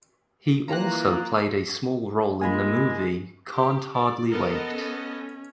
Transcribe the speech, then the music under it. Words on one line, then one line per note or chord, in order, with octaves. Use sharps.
He also played a small role in the movie "Can't Hardly Wait".
E3 A#3 F4 A#5 F#6
G#3 A#3 F4 G#5 B5
G4
D5
B3 A4 A#4 D#5
C#4